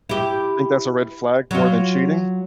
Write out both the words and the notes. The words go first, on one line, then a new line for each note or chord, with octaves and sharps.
Think that's a red flag more than cheating?
E4 G4
F#3 F4